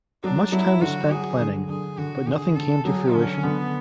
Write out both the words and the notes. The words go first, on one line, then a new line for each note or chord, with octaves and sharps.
Much time was spent planning, but nothing came to fruition.
F#3 D4
F#3 E4
D3 F#4
F#3 G#4
D3
D3 G#4
D3 F#4
D3 G#4
D3 A4
F#3 G#4
D3 C#4
D3 B3